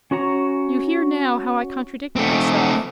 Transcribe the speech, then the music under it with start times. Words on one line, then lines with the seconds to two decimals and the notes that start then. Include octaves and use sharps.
You hear now how I contradict myself.
0.11 C#4 F#4 C#5 A#5
2.16 A3 C4